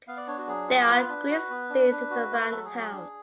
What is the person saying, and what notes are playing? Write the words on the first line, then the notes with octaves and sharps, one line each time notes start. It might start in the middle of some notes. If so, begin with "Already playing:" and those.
There are green spaces around the town.
B3 F5
D5
D4 C#5
F#4
F#3 G#4
F4
B3 B4
D4
F#4
B3
D4
D4
F#4
A3
F#3 A4
G#4
F#3
G#4
D4